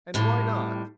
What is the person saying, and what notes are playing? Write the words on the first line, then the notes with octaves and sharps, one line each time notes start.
"And why not?"
F2 A2 G3